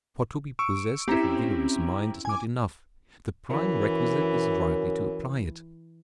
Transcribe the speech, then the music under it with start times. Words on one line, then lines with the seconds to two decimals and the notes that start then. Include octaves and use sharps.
For to be possessed of a vigorous mind is not enough; the prime requisite is rightly to apply it.
0.59 C#6 E6 D7
1.08 C4 C#4 E4 G4 G5 A#5
2.25 G#5 D6
3.50 F#2 E3